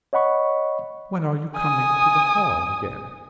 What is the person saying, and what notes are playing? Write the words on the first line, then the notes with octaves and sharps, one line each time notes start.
'When are you coming to the hall again?'
C#5 D#5 F#5 B5 C#6
G#5 D#6